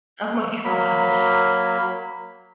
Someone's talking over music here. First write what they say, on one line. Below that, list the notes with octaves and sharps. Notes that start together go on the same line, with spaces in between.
Oh my gosh.
F#3 A#3 B5